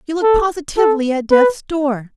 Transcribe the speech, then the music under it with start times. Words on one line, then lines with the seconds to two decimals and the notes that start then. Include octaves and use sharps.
You look positively at death's door.'
0.22 A4
0.77 A4
1.31 B4